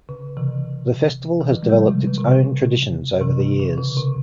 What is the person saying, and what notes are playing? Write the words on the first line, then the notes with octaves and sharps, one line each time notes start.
The festival has developed its own traditions over the years.
C#3
C3 E3
E3
C#3 F3
G#3
E3 G3
C3 E3
C#3
C3
C#3
C3 E3
C3
C#3
C#3
C3